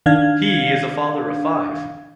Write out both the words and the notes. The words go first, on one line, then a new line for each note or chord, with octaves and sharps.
He is a father of five.
D#3 D4 F5 G#6